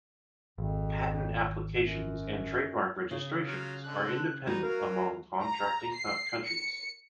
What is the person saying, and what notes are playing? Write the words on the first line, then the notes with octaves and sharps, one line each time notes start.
Patent applications and trademark registrations are independent among contracting countries.
G#1 F2
F#2
C#3
F#3 F4 F5
D3 G#3 A4 F#6
G3 D#4 F#4 B4
F#3 A#4 F5
A#5
C7
C#7